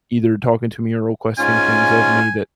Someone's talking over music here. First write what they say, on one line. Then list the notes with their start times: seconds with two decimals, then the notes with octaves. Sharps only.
either talking to me or requesting things of me that
1.38 G#2 C#4 F4 G#5